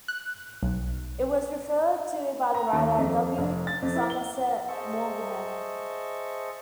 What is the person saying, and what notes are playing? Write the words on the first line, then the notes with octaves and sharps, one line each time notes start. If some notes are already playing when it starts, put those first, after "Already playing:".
It was referred to by the writer W. Somerset Maugham.
F#6
B1
A#5
D#2
F2
F1
A6
F2
E4
G7
G#4 C5 D#5 E5 A5 C#6